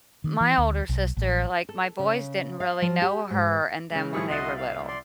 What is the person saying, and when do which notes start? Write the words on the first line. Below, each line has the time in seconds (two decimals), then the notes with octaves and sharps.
my older sister, like, my boys didn't really know her and them when they were little.
0.24 D#3
0.41 E3
0.58 D2
0.89 B1
1.17 A1
1.69 A4
1.99 C#3
2.60 F5
2.82 F3
3.02 G4
3.30 G#2
3.92 C#3 G#3
4.13 A2 F3 G3 E4 G#4 C#6
4.30 C2 F#4 D#5 E5 C6 A6
4.57 F5
4.88 D5 C6